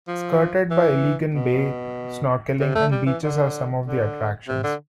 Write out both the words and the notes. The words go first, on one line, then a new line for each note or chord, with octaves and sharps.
Skirted by Iligan Bay, snorkeling and beaches are some of the attractions.
F3
E3
B2
C3
A3
G3
E3
D3
D3
C3
D3